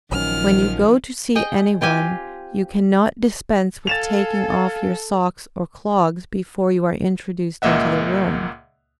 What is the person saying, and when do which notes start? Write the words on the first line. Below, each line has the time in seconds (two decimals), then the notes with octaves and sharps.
When you go to see any one, you cannot dispense with taking off your socks or clogs before you are introduced into the room.
0.11 A#1 D#3 F3 F#3 C#4 F6
1.35 G#4 D#5 G5
1.81 C4 F4 G4 G#5
3.87 A4 F5 G#5 A6 E7 F7
7.62 C#2 A#2 A#3 D#5 E5 F#5